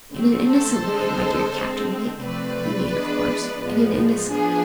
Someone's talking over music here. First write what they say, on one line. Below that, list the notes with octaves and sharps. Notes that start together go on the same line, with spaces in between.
'In an innocent way, my dear Captain Lake, you mean, of course--in an innocent way.'
D3 A3 C4
A4 C5
D3 G#3 C4
D3 G#3 C4
C3 F3 A3 C4 B4 D5
E3 G#3 B3 D4
A2 F3 G#3 B3
F3 B3 D4 G#4